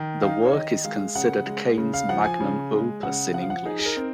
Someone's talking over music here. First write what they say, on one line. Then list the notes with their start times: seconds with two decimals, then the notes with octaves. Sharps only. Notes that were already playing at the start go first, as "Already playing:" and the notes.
The work is considered Kane's magnum opus in English.
Already playing: D#3
0.22 D#4 F5
0.45 C#5
0.53 D#3 D#5
0.84 G#3 F5
1.15 C#3 F#5
1.47 G#3
1.78 C#3
1.94 F5
2.09 F3 F#5
2.24 G#5
2.40 C#3
2.72 G#3
3.03 C#3 F#5
3.34 F3 F#5
3.42 F5
3.50 F#5
3.65 D#4 G#4
3.79 G#4
3.86 A#4
3.97 C4